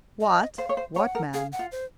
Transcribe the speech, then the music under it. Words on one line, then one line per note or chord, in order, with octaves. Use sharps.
"What--what man?"
D#5
C5 F5
C#5
C5
C#5 F#5
A#4
G#4 F5
F#5
F4
C5